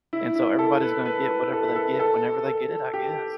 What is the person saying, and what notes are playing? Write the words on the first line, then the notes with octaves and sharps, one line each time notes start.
And so everybody's gonna get whatever they get whenever they get it, I guess.
E4
E4
A4
B4
B4
A4
B4
A4
A4
A4
G4